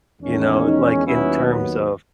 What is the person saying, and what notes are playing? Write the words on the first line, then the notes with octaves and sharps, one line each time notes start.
you know, like, in terms of,
E2 D#3 G#3 C#4
D#4
D#2 D#3 F#3 B3 C#4 E4